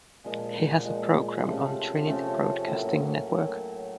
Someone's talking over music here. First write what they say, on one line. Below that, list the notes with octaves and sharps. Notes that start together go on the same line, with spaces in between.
He has a program on Trinity Broadcasting Network.
A#2 F3 G#3 G#5
A5
G5
F#5
A#2 F3 G#3
G#5
C3 F3 A3 C#4 F#5
F5
C3 F3 A3 C#4 E5
C#5
C#5
A2 F#3 A#3
A2 F#3 A#3